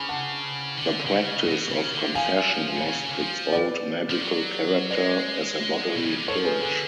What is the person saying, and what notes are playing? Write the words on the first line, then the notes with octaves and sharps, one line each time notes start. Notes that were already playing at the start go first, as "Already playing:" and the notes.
The practice of confession lost its old magical character as a bodily purge.
Already playing: C#3 G#5 B5 D6 F6
F#5 A5
D3
D3
C#3
B2
C#3
D3
F3 F5 G#5
D3
C#3
D3
F3
B4 D5
F3
F#3
G#3 B4 D5
B2
C#3
D3
F3 A4 C#5
G#4 B4
D3 G#4